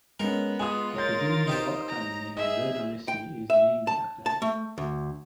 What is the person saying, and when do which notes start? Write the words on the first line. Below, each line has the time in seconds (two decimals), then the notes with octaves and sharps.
A Brazilian rock band named "Virna Lisi" is named after her.
0.20 G#3 B3 C#4 A#4
0.60 G#3 F4 G#5 D#6
0.96 A#4 C#5 G6 A6
1.47 D#4 G4 C5
1.88 A#5
2.37 G#4 D#5 E5
3.08 G5
3.50 E5
3.87 A5
4.26 A5
4.42 A3
4.78 D2